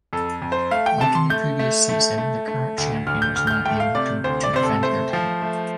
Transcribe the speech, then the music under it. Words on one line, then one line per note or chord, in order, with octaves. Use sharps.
Like in the previous season, the current champion was not able to defend their title.
F2 A4
F2
C5
A3 F5
G5
C3 A5
C6
A3 G6
A3
A3
A3
A3
D2
D2 F6
G6
D2 F6
G6
F6
A3 G5
F5
C3 D5
D2 C5
D5
C3 C5
A4
A3 C5
F3
A3